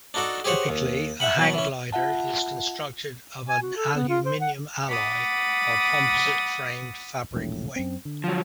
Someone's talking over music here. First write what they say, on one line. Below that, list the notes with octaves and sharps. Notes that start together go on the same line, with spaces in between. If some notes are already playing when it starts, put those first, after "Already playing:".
Typically, a hang glider is constructed of an aluminium alloy or composite-framed fabric wing.
D4 D#4 F#4 A4 D5
G4 G#4 C5 C#5 F#5
D#2
E5 F#5 B5
B2 F#3
E3 C#4
F4 E5 F#5 A5
G#5
F#4
A4
B3
F4
C5
F#5
F#5 B5 D6 D#6 A6
E1 A#1 A2
F#2 C4
D3
F3 F#3